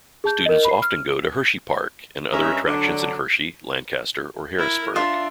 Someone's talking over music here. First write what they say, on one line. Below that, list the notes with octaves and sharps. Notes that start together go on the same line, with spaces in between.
Students often go to Hersheypark and other attractions in Hershey, Lancaster or Harrisburg.
G#4 A5 G6
A#4 D#5
B5 C7
F6
G2 C#4 A#4 D#5 E5
D3 F#3 D4
E4 A#4
D4 F4 E5